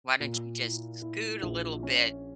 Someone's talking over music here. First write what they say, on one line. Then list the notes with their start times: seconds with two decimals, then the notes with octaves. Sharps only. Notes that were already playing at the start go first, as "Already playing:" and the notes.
Why don't you just scoot a little bit
0.20 A#2
0.62 E4
1.02 E4
1.42 A#1
1.83 C#4